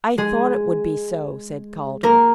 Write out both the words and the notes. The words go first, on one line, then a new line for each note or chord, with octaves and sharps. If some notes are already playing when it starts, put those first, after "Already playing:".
"I thought it would be so," said Calder.
G#3 G#4
A#3 A#4